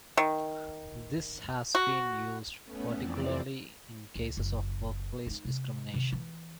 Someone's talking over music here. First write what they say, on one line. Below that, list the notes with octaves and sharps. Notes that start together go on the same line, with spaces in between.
This has been used particularly in cases of workplace discrimination.
D#3
F#4
A3 B3 C#4
F2 E3 C4 D5
C#2
F#1
D4 D#4
C3
C3 D#3
E3